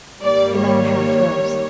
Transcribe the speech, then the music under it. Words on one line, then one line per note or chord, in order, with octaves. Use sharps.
The man half rose.
G#2 D#3 G3 A#3 D5
C#5